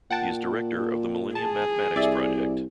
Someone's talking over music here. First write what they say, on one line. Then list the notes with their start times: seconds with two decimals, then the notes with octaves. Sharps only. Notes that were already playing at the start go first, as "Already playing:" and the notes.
He is Director of the Millennium Mathematics Project.
0.10 A#2 F#5 G5 A5
1.35 G#4 A5
1.96 C2 D5 E5